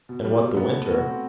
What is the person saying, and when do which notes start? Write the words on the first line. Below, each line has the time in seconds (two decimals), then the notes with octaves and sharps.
And what the winter?
0.09 B2
0.25 G3
0.41 B2
0.57 B3
0.73 A3
0.90 F#4
1.05 C4